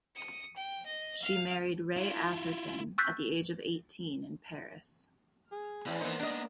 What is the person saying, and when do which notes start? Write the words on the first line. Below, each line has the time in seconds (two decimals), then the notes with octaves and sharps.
She married Ray Atherton at the age of eighteen in Paris.
0.16 D#6 C#7
0.56 G5
0.86 D#5
1.22 F5 F6
1.97 E4 F4
2.98 C#6 E6 F#6 G6 A6 B6
5.52 G#4
5.87 E2 E3 C#4
6.01 E3 A#3 B3 D#4 C5
6.20 D4 A#4 D#5